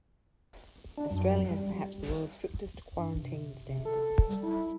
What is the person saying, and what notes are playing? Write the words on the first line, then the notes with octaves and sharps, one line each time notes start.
Australia has perhaps the world's strictest quarantine standards.
D4
F#2
G3
G2
C3
C3
A4
G3
E4